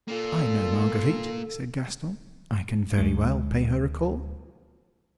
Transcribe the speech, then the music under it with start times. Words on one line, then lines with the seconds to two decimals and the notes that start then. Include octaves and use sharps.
"I know Marguerite," said Gaston; "I can very well pay her a call."
0.08 A#3 F4 A4
2.98 D2 D3 G#3